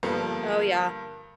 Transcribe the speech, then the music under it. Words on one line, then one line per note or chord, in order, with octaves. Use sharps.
Oh, yeah.
G2 D3 F3 A#3 B3